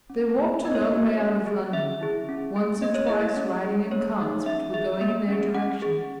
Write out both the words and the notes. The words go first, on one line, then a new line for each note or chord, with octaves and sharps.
They walked a long way out of London, once or twice riding in carts which were going in their direction.
C#4
G#4
B3 D#5
C#5
D#5
F#4
C#4
G#4
C#4 E5
E4 G#4
C#4
G#4
A#3 D#5
C#5
E4 G#4 D#5
C#4
G#4
A#3 C#5
D#4 G#4
C#4 E5
G#4 E5
A#3 E5
C#4 G#4
C#4 F#5
G#4